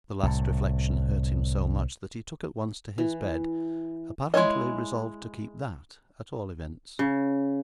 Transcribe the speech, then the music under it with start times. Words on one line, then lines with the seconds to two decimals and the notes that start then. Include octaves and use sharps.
The last reflection hurt him so much, that he took at once to his bed; apparently resolved to keep that, at all events.
0.23 C2 A2
2.98 E3
4.34 G#3 B3 E4 C#5 D#5
6.99 C#3